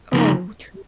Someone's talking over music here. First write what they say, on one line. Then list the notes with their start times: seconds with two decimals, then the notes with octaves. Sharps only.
Oh, true.
0.13 C#3 F3 A#3 D#4